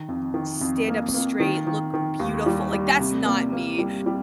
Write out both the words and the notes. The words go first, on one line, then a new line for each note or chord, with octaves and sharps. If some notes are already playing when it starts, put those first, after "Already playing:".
stand up straight, look beautiful, like, that's not me,
Already playing: D#3
F2
D#3
F2
A#3
A#3
D#3
D#3
D#3
D#2
G3
G3
C3
A#3
A#3
G3
G3